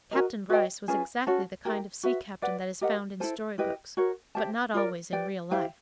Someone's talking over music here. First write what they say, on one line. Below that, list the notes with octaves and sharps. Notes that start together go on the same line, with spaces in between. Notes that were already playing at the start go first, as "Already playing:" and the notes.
Captain Bryce was exactly the kind of sea-captain that is found in story-books, but not always in real life.
F#4 A#4 D#5
F#4 B4 D#5 G5
C#4 F4 G#4 B4
C#4 F#4 A4 C#5
E4 G4 A#4
F#4 B4 E5
B4 D5 F#5
G4 A#4 D#5 F#5
E4 A4 C5
E4 G4 B4 D#5
F#4 A#4 C#5
G4 C5 E5 A5
F4 A#4 D5
G4 B4 D5 G5
E4 G4 C5 F5